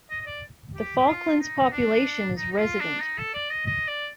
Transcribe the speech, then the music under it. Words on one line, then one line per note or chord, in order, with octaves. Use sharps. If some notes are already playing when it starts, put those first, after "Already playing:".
The Falklands population is resident.
D#5
D#5
D5
G4
G4
F4
D#4
D4
D#4
D#4
F4
D4
D#4
A4
D5
D#5
D#5
D5